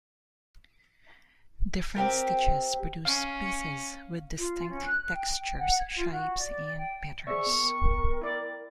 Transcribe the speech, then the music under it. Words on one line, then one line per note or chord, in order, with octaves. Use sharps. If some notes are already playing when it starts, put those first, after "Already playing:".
Different stitches produce pieces with distinct textures, shapes, and patterns.
C4 G4 A#4
C#4 F5
F4
C#4
F#6
G5
G5
F#5
G#6
F4
F#4
D5
G5
G#4 C5 D5 E5 C#6
B3 A#4 G5
E4 D5